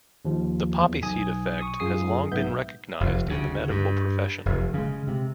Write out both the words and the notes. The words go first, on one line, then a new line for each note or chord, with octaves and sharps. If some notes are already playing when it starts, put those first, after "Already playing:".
The poppy seed effect has long been recognised in the medical profession.
D#2 F3
E2
B1 G#5 D#6
C#6 D#6
F#2 F4 G#4 D#6 C7
B1 G#2 B3 E5 G6
F1
D2 C#3
G2
F1
C#3 G#3
C3